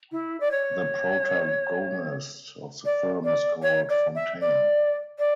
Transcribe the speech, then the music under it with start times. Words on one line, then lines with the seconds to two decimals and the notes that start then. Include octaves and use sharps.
The protagonist of the film is called Fontaine.
0.11 E4
0.40 D5
0.51 C#5
2.85 D5
3.24 D5
3.62 C#5
3.89 D5
4.14 E5
4.40 D5
5.18 D5